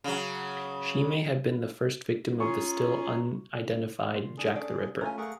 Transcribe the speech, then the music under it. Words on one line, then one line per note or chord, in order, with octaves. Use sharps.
She may have been the first victim of the still-unidentified Jack the Ripper.
C#3 F#3
C#4 F4 G#4 A#5 C#6
A#2 C6
G3 D4 G#4 A4
C#4 D4 A4 D5
A3 C#4 F4 G#5 A#5
A3 G#4 A#4 F5 F#5 A#5 C#6